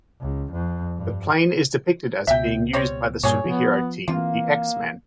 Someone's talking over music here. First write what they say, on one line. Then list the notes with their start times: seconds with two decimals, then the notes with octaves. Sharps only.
The plane is depicted as being used by the superhero team the X-Men.
0.21 C#2
0.52 F2
0.97 G2
2.27 C#2 B2 E5 G5
2.73 G3 C4 C#5
3.23 G2 A#2 G#4 C#5
3.45 F3 B3
4.08 E3 A#3 C4 F4